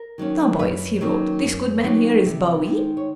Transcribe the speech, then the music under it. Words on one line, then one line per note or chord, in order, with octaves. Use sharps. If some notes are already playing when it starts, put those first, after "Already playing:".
"Now boys," he roared, "this good man here is Bowie."
Already playing: A#4
D#3 F#3 A#3 C#4
F#2 B4
D#3 F#3 A#3 C#4
F#2
D#3 F#3 A#3 C#4
C3
D#3 G#3
C#5